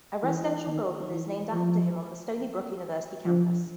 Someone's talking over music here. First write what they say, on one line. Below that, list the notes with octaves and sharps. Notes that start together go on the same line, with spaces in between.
A residential building is named after him on the Stony Brook University campus.
E3
D#3
E3
F3
F3